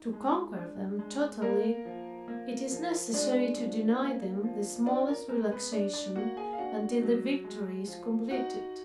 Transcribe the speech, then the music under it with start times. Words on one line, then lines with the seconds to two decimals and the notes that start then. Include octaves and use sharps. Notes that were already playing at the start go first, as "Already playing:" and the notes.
To conquer them totally, it is necessary to deny them the smallest relaxation, until the victory is completed.
Already playing: D#4
0.13 G#3
0.56 D4
0.99 G#3
1.42 A#3 A#4
1.85 F3
2.28 A#3
2.72 F3
3.14 G#3 D4 D5
3.57 F3
4.01 A#3
4.43 F3
4.86 D4 D5
5.09 A#4
5.29 G#3 A#4
5.51 B3 B4
5.72 D4 D5
5.93 D4 D5
6.15 A#3 F#4 F#5
6.37 G#4 G#5
6.53 F5
6.58 D4 F#4 F#5
7.02 F#3
7.44 G#3
7.87 F3
8.30 D#4 F#4 F#5